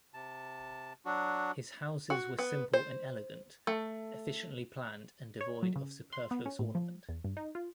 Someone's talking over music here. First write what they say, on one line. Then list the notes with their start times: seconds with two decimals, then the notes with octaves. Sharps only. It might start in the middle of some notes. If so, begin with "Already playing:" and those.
His houses were simple and elegant, efficiently planned and devoid of superfluous ornament.
0.14 C3 A5
1.06 F#3 D4 F#4
2.10 F#4
2.39 B3
2.74 C5
3.67 A3
5.41 C#5
5.63 F#3
5.76 C#3
6.13 C6
6.31 B3
6.46 C#4
6.59 A2
6.75 F3
7.09 E2
7.24 G2
7.37 D#4
7.55 F4